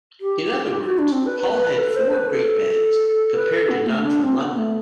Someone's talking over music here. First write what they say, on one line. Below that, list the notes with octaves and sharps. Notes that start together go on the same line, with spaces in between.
In other words, Hull had four great bands, compared to none from London.
G4
F#4
D4
C4
B4
B4
B4
A4
C5
B4
A4
B4
A4
B3
A3
D4
C4
B3
A3